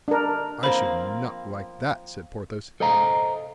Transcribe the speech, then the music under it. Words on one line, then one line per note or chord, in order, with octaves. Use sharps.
"I should not like that," said Porthos.
D4 A#4
F3 A#3 C4 C5 B5
A4 C5 D#5 F5 A#5